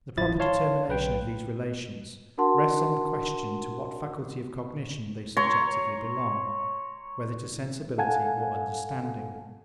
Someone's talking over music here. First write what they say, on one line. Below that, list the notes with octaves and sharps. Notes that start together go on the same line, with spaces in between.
The proper determination of these relations rests on the question, to what faculty of cognition they subjectively belong, whether to sensibility or understanding?
A1 F3 E4 A6
C#5 F5 A5 C6
B1 B4 G5
D4 F#4 A#4 F#5 A5 C6
C#5 A#5 C6
A4 F5 F#5 G#5 A5 G#6